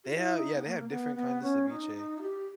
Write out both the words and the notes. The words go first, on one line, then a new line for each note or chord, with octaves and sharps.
They have yeah, they have different kind of ceviche.
G4
E4
D#4
B3
A#3
A#3
B3
B3
C#4
D#4
D#4
E4
G4